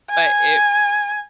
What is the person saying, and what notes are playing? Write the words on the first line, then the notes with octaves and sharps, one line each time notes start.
But it
G#5